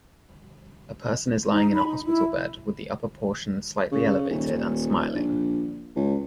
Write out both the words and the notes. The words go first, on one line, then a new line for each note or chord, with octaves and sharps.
A person is lying in a hospital bed with the upper portion slightly elevated and smiling.
D#4
B5
D#4
E4
C#3
D#1
A#1
C#2